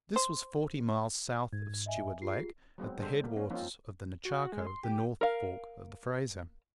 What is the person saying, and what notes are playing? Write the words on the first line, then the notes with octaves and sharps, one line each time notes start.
This was forty miles south of Stuart Lake, at the headwaters of the Nechaco, the north fork of the Fraser.
C5
G#2 G#6
D#5 E5 G#5
F4 G4 G#4 C7
F#3 G#3 B3 C4
D3 G3 G#3 A4 C5
A#3
C#4
F3 A#3 C4 C#4 D#4 F4
F#4
G#3
C6
G4
A#4 F5